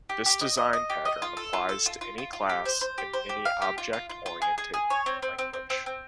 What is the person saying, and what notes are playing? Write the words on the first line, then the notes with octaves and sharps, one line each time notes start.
This design pattern applies to any class in any object oriented language.
G4
G4
D#5
D#5
D#5
G4
D#5
F4
A4
F4
A4
F4
F4
F4
F4
G4
C5
C5
G4
C5
G4
F5
G4
F4
F4
F4
F4
G#4
G#4
G#4
C#5
C4
C4
C4
C4
C4
C4